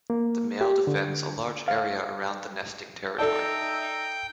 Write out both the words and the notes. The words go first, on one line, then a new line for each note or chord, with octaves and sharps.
The male defends a large area around the nesting territory.
A#3
G4
D3
F5
D#4 A4 D5 E5 G5 A5